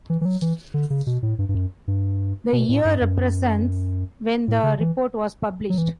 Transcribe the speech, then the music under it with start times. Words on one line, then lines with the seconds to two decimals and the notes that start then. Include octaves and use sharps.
The year represents when the report was published.
0.10 E3
0.21 E3
0.25 F#3
0.42 E3
0.74 D3
0.90 C#3
1.07 B2
1.23 A2
1.39 G2
1.49 G2
1.55 F#2
1.88 G2
2.53 B2
2.69 A2
2.85 G2
3.02 F#2
4.48 A2
4.63 C#3
4.80 E3
5.70 F#3
5.78 E3